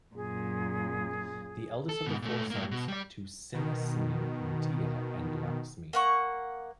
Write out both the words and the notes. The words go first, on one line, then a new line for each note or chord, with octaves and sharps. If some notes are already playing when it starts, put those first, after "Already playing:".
The eldest of the four sons to Sinnasamy Muttiah and Lakshmi.
F#2 A#2 G#4
A4
G#2 B2
A#2 A3
A2 A#3
B2
G3 D5
B2 D#3
A#3 F#5 C#6